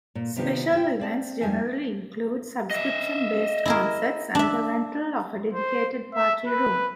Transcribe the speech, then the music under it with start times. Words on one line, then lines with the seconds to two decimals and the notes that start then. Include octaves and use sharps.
Special events generally include subscription-based concerts and the rental of a dedicated party room.
0.15 A#2
0.36 C3 D#3 B3 D4 F4 G4
0.72 E4 G4 G5
1.00 C4 D5 A5
1.41 F2 G3 D4 D#4 G#5 A5
2.71 D#5 E5
3.66 E4 G#4 A#4
4.35 D4 E5
5.54 C5
6.14 E5
6.47 B4